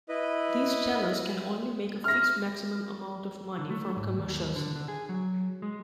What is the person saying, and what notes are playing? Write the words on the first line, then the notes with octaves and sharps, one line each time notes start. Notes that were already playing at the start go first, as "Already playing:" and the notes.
These channels can only make a fixed maximum amount of money from commercials.
E4 B4 D#5
F6 A#6
D3
A3
G#2
D#2
D3
D3
G#4
F#3
G#3